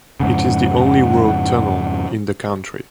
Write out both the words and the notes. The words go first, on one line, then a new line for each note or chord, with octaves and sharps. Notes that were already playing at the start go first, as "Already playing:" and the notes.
It is the only road tunnel in the country.
F2 G#2 C#3 F#5